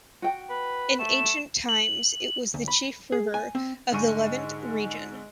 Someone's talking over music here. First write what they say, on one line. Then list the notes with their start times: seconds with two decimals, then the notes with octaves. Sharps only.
In ancient times, it was the chief river of the Levant region.
0.22 F#4 G5
0.50 B4
0.99 A3 E7
1.69 F#7
2.54 D2
2.68 B5
3.12 G#4
3.34 G#5
3.55 C4
3.92 G#2 D3 D#4 G#4 C#6 D#7